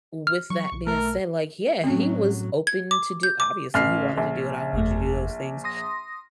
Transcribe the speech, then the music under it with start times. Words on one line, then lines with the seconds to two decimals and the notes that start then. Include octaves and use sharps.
with that being said, like, yeah, he was open to do obviously he wanted to do what I wanted to do those things,
0.27 F6
0.50 F#3 C#6
0.72 B1
0.87 A3 A#4
1.84 A2 F#3 C4 C#4
2.67 G#6
2.91 D6
3.23 G6
3.40 D6
3.74 A1 F6 C7
4.18 A#1
4.73 G1 F2 A3
5.64 C6 D#6 A#6